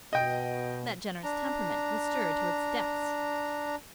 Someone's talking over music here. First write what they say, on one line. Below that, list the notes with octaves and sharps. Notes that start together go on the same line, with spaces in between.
That generous temperament was stirred to its depths.
B2 D#5 G5
D4 A#5